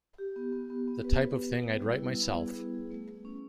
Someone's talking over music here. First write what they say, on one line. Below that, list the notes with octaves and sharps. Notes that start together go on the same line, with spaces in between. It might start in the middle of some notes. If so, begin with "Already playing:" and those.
The type of thing I'd write myself'.
G4
B3
B3
B3
B3
B4
B4
B3
B3
G3
E4
B3
B3
G#4
E4
G#4
A3
A3
C#4